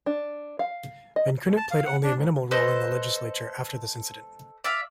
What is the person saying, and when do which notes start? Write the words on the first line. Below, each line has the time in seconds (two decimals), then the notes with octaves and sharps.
Vankoughnet played only a minimal role in the legislature after this incident.
0.06 D4
0.59 F5
1.16 D#5
1.45 B2
1.57 A5
1.71 F5
1.86 F#5
2.03 D4
2.17 G#2
2.51 A4 B4 C5 D#5
4.64 D5 E5 F5